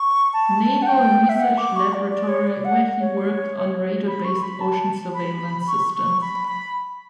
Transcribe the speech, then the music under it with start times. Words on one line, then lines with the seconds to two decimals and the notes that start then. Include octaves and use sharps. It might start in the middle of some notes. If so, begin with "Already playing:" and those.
Naval Research Laboratory where he worked on radar-based ocean surveillance systems.
Already playing: C#6
0.33 A5
0.82 F#5
0.86 G5
1.29 E5
1.40 F#5
1.58 D6
1.76 C#6
1.93 D5
2.11 D5
2.29 C#5
2.47 D5
2.65 F#5
3.00 C#5
4.08 B5
4.25 C#6
4.43 B5
4.61 A5
5.14 B5
5.67 C#6
5.94 C#6
6.21 B5
6.48 B5